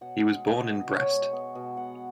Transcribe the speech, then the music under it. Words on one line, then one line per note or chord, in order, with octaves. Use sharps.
He was born in Brest.
B2 F#5
G#3
B3 D#5
B2
B2 C#5
G#3
B3
B2
B2 F#5